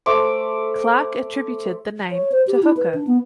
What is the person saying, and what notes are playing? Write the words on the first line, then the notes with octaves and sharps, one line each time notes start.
Clarke attributed the name to Hooker.
A3 C5 D6
C#5
C5
G4
E4
B4
D4
B3